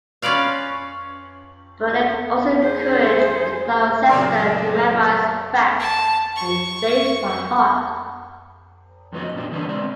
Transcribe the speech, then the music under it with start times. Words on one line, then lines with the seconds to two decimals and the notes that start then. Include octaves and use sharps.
Burnet also encouraged Gloucester to memorise facts and dates by heart.
0.22 C#4 F4 B4 D5 F5
2.61 G#4 C5
4.09 A#2 C#3 F#3 A#4 D5 C7
5.79 A5
6.36 C#6
9.12 F2 A2 B3 C#4 F#4 D#5
9.35 A#2 D4 G4
9.51 D3 E3 G3 B3 C#4 D4
9.69 G#3 C4 D5